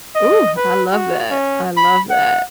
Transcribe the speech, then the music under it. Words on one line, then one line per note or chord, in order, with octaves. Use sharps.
Ooh, I love that, I love that.
D#5
B4
F#4
C#4
B5
F#5